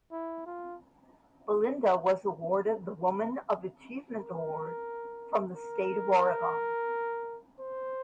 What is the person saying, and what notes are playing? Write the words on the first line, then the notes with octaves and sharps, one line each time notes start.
Belinda was awarded the Woman of Achievement Award from the State of Oregon.
E4
F4
A#4
A#4
C5